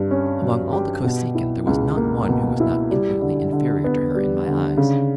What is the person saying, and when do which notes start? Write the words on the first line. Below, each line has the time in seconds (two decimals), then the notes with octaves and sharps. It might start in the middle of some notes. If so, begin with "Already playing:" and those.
Among all the Kosekin there was not one who was not infinitely inferior to her in my eyes.
Already playing: G2
0.11 C#4
0.42 F#3
0.72 G4
1.04 B2
1.35 E4
1.67 C#2
1.97 A#3
2.29 B2
2.60 E4
2.91 G3
3.22 D3
3.53 D3
3.84 B3
4.15 G3
4.47 D3
4.77 C#3